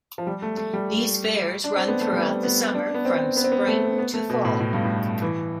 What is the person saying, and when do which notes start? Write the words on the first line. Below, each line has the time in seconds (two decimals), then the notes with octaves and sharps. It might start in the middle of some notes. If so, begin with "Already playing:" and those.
These fairs run throughout the summer, from spring to fall.
0.18 F3
0.27 G3
0.42 A3
0.57 A3
0.73 G3
1.64 D4
1.76 C4
1.88 B3
2.01 A3
2.13 G3
2.43 B3
2.74 D4
2.94 B3
3.05 C4
3.37 B3
3.44 C4
3.52 B3
3.67 A3
3.98 B3
4.14 A3
4.30 B2
4.45 A2
4.60 A2
4.73 G2
4.85 A2
5.22 E3